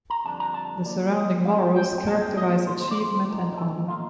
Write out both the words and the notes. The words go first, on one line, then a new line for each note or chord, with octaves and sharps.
The surrounding laurels characterize achievement and honor.
A#5
F2 D3 G3 D4 A5
A#5
A5
D3 F3 A#3 D5
D#5
A2 A3 C4 F5
G5
G5
G5
A#2 G3 C4 D#4 A5
G5
D#5
F2 D#3 A#3 C5
C5
D5
C5
A2 F3 C4 D#4
A4
A#2 A3 D#4 F4